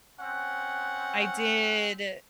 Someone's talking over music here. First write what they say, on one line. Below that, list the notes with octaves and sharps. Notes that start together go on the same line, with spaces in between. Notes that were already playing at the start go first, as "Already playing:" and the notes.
I did,
C4 C#4 F#5